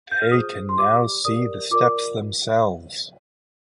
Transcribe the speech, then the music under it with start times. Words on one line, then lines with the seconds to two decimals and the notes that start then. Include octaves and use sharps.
They can now see the steps themselves.
0.11 G6
0.22 F6
0.31 F4 G#4 C5 D#6
0.69 C6
0.78 G4 D5 D6
1.25 G4 A#4 D5 D#6
1.71 F4 A#4 D5 D6